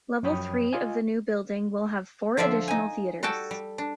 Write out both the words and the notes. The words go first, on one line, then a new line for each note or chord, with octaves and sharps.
Level three of the new building will have four additional theatres.
F#2 F3 C#5 G5 B5 D#6
F4 D#5 G#5
D3 F3 F4 D5 E5
D#4 G#5
G3 F#4 A4 G5 A5
G3
D4